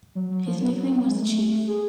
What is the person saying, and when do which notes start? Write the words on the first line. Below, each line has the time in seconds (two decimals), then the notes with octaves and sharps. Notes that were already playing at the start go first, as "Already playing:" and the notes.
His nickname was "the Chief".
0.15 F#3
0.30 F#3
0.46 F3
0.61 F#3
0.76 F#3
1.06 G#3
1.21 A3
1.68 G#4